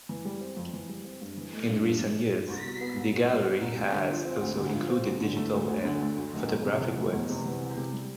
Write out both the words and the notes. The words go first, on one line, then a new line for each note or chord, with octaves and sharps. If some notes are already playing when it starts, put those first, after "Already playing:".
In recent years the gallery has also included digital and photographic works.
E3
G3
C4
F2
E3
G3
C4
G2
E3
A3
G2
G2
E3
A3
G2
C2
B2
B3
C2
C2
B2
B3
C2
D2
D3
F3
C4
D2
D3
F3
C4
D2
D3
A3
D2
D2
D3
A3
D2
F1
E2
C3
E3
F1
E2
C3
E3
C2
C3
G3